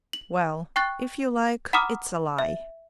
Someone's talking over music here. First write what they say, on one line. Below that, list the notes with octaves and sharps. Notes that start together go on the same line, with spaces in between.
Well, if you like, it's a lie.
F#7
G5 C#6 F#6 A6
F#5 A#5 B5 D6 D#6 F6
E5